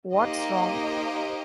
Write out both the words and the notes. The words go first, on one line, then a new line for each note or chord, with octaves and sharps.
What's wrong?
A#3 D#4 G4 C5 D#5